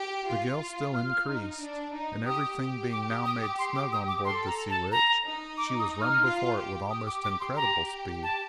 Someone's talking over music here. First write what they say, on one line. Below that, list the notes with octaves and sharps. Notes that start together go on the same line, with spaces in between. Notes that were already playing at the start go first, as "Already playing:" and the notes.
The gale still increased, and everything being now made snug on board the "Sea Witch," she was run before it with almost incredible speed.
Already playing: G4
F4
F4 F6
D#4
D4
D#4
G4 D#6
G4
D6
D#6
D#6
D6
C6
D6
D#6
D6
A4 C6
A#5
A5
A#5
D#4
D6
D#6
F6
F4
G4
G4 D#6
D6
D6
C6
A#5
A5